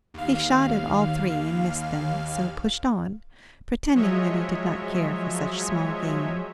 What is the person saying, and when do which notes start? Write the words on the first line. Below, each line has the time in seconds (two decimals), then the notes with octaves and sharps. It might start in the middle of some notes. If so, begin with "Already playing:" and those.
He shot at all three and missed them, so pushed on, pretending that he did not care for such small game.
0.14 D#2 F5
3.94 F3 F#3 G#3 C#5 D#5 E5